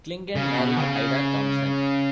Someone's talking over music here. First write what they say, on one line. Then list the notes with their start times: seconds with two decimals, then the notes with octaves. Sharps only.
Clingan married Ida Thompson.
0.36 C#3
0.59 B2
0.77 D#3
0.80 C#3